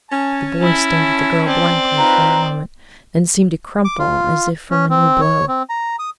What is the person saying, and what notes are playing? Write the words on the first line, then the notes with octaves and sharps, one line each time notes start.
The boy stared at the girl blankly for a moment, then seemed to crumple as if from a new blow.
C#4 G#5 A5
E4
C4 D5
D#4 F4 B4 A#5
D6
F4
C#4
C4
C#5
C4
A#5
D#6